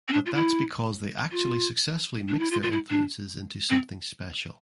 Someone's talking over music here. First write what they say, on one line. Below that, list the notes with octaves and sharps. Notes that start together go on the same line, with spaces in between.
But that’s because they actually successfully mix their influences into something special.
C4
D4
F4
E4
F4
D4
E4
F4
F4
E4
D4
C4